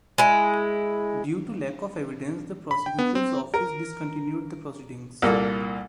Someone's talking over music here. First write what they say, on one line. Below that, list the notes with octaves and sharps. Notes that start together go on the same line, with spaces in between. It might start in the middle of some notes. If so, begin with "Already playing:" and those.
Due to lack of evidence, the Prosecutor's Office discontinued the proceedings.
G#3 E4
B5
G5
B3
C4
A#4
C2 A#2 A#3 A4